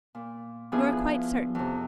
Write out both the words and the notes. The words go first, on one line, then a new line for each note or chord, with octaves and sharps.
'You are quite certain?
A#2
F3 B3 D4 E4 F4 G#4
F2 C3